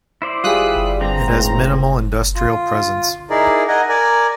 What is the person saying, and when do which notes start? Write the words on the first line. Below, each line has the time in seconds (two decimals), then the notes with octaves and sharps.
It has minimal industrial presence.
0.22 E4 C5 D5
0.44 G3 F4 G#4 D#6 F#6 B6
1.01 G2 D3 C4 A#5
1.27 G#1 C#2 A2
2.36 F4
3.30 D#4 E4 G#4 A#4 D5
3.68 A#4 D#5 F#5 G#5
3.89 A#4 D5 G#5